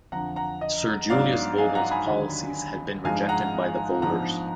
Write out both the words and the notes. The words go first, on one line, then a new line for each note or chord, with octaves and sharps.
Sir Julius Vogel's policies had been rejected by the voters.
F2 D3 F3 F#5 A#5
F#5 A#5
D#5
G#2 F#3 B3 D4 D5 F5
F5 G#5
F#5 A#5
G#5 B5
D#2 D3 F#3
G#2 F3 G#3 D4 F5 G#5
F#5 A#5
G#2 F3 B3 D4 F#5 A#5